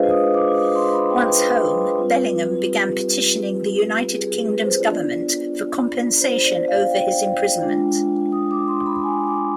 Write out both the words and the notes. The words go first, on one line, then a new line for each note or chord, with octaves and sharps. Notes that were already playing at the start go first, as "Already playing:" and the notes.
Once home, Bellingham began petitioning the United Kingdom's government for compensation over his imprisonment.
Already playing: G#3 D4 F4 G#4 B4 C5 D#5 F5
D#6
D6
D#6
C6
B5
G5
B4
G3 C4 F4
G4
G#4
G#4
B4
C5
B3 D4 F4 D5
C5
D5
F5
G5
G#3 D4 F4
D#6
D6
C6
B5
G#5
D6